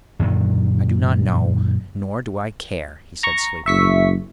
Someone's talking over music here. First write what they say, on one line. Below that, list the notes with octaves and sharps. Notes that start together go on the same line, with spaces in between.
"I do not know--nor do I care," he said sleepily.
F#2 A#2 D3 D#3
A#5 C#6
F#1 E5 C#6 B6